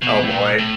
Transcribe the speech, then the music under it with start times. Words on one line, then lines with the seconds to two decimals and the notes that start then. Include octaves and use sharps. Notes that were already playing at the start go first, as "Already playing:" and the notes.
Oh, boy.
0.02 B2
0.24 A2
0.30 A#2
0.58 A2